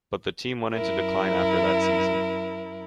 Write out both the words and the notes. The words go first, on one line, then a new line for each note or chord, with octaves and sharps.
But the team went into decline after that season.
F#2 E4 A#4